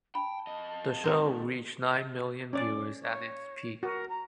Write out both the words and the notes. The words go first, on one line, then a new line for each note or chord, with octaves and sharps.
The show reached nine million viewers at its peak.
G5 A5 B5
F2 D#5
F2 G#2 C4 D#4 F#4
C#4 D5 D6
C#5
F#4 A#4
A#5